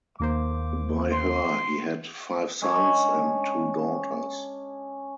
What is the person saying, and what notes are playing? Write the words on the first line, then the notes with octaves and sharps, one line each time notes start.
By her he had five sons and two daughters.
D#2 A#3 C5 D6
C6
G#3 C#4 D4 C#5